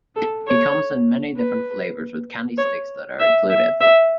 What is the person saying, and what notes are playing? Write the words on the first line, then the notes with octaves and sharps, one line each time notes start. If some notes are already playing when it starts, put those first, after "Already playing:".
It comes in many different flavors with candy sticks that are included.
A4
C#5
B4
C#5
E5
E5
E5